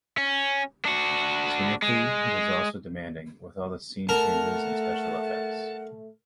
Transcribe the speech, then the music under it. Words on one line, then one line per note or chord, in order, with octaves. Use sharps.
Scenically, it is also demanding, with all the scene changes and special effects.
C#4
D4 F#4
G#3
A3 A#4 F#5 A5